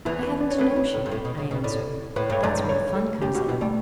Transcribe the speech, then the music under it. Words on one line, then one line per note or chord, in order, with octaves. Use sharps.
'I haven't a notion,' I answered; 'that's where the fun comes in.
E2 E3 E4
B4
D5
C#5
D2 D3 B4
C#5
G2
A2
G2
A2
B2
C#3
B2
A2 D5
A2 B4
G2 C#5
F#2 D5
G2
C#5
A4
F#2 G4
G2 F#4
B2 E4
G3 A3